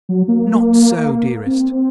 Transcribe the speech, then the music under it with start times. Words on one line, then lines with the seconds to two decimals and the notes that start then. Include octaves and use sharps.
'Not so, dearest.
0.09 F#3
0.28 A#3
1.46 C4